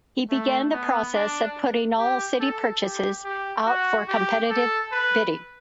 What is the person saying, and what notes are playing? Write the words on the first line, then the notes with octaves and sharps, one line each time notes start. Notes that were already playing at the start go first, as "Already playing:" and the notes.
He began the process of putting all city purchases out for competitive bidding.
A3
B3
D4
G4
A4
G4
G4
F#4
G4
A4
B4